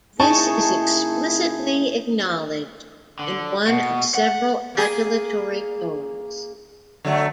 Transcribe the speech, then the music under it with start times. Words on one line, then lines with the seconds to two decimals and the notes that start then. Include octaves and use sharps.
This is explicitly acknowledged in one of several adulatory poems.
0.20 C#3 A#3 D#4 E4 G#4 G#5 A5 C#6
3.19 D3
3.67 B2
4.15 F#5
4.75 A#3 G#4
7.05 D3 F#3 A3